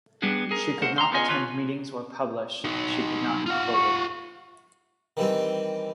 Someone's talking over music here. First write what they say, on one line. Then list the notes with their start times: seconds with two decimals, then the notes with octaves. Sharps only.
She could not attend meetings or publish, and she could not be quoted.
0.22 G3 B3 D4 F#4 G#4
0.51 G#4 A#4
0.82 A3 A#4 C5 F#5
0.98 A#5 C6
1.12 B3 C#4 F4 G#4 D#5 G#5
1.28 D4 F4 B4 C#5
2.64 D#4 F#4
3.46 F4 F5 F#5
3.74 C#6
5.17 D#3 E3 G3 C4